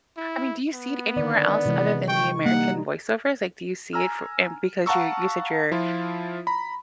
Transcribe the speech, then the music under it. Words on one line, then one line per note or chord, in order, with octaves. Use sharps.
I mean, do you see it anywhere else other than the American voiceovers? Like, do you see it for and because you you said you're
E4
B3
D3 D#3 D5
C3 E3 G#3
G5 C#6
G3 A#3 D#4 F#5
G#5 A#5 E6 F6
F5 F#5 A5 A#5 C#6 E6
F3 E4 F4
A#5 B5